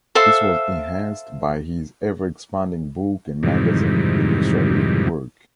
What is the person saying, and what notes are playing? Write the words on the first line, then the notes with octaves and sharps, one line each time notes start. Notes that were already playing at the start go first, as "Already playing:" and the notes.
This was enhanced by his ever expanding book and magazine illustrative work.
A4 C5 E5 F5
F2 G#2 C3 D#3 E3 G3